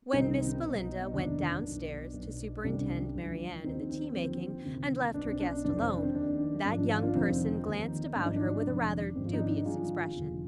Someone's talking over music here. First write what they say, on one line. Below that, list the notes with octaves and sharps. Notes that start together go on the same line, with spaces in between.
When Miss Belinda went down-stairs to superintend Mary Anne in the tea-making, and left her guest alone, that young person glanced about her with a rather dubious expression.
C2 C3 D#3 C4 D#4
B1 B2
F1 D#2 D#3 D4
B1 B2
B1 B2
C2 C3 D#3 D4
D2 D3 F3
D#2 D#3 C4 D#4
C4
D#2 D3 F3 C4
D2 C3 D#3
B1 B2 D4
C4
D4
F1 F2 D#3 D4
C4
D4
C4
D#2 D#3 D4
G#1 G#2 F3 D4
D4
D4 F4
D4 F4
F1 F2 D#3 C4 D#4
D#2 D#3
G#1 G#2 F3 D4
D#4
D4
F1 F2 D#3
G#1 G#2 F3 C4
F4
D#4
D4
G#1 G2 D3 F3 F4 G#4
F1 D#2 D3